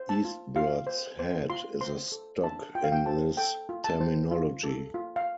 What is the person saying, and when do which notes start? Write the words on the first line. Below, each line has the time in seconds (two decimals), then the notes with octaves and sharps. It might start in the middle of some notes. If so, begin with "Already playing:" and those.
East Bird's Head is a stock in this terminology.
Already playing: C5
0.09 A5
0.25 F4
0.56 F4 F5
0.87 C5
1.19 C5
1.50 F4 C6
1.81 C5 C6
2.12 A4
2.44 D4 A5
2.75 F4 G5
2.84 F5
2.92 G5
3.06 C5 A5
3.37 A4 G5
3.69 F4
3.84 A5
4.00 C5
4.31 F4
4.63 A4
4.94 F4
5.16 F5